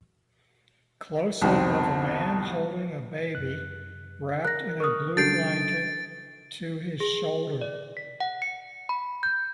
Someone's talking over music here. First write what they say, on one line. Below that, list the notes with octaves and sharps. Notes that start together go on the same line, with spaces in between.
Closeup of a man holding a baby, wrapped in a blue blanket, to his shoulder.
C2 F2 B2 D#3 C4
F#2 F#6
A#4 F#6 A#6
A#4 C#6 D#6 F6 F#6
C#3 F#3 D4 A4 G6 A6 C7 D7
G#4
D5
B6
F#5
C#7
B5
G6